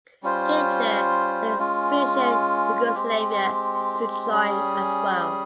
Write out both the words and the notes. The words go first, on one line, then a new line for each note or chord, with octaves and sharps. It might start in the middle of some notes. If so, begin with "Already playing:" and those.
Hitler then pressured Yugoslavia to join as well.
G3 C#4 F4 C5
G#3 C#4 F4
G#3 C4 G4
G3 C#4 G#4